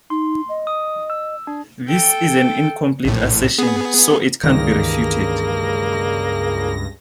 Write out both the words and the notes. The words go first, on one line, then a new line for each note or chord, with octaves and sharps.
This is an incomplete assertion, so it can't be refuted.
D#4 C6
D#5
D#6
E6
D4
A4 G5
A#1 A2
B3 G#4
C#2 G2 D#3 E3 A#3 G#4 A#6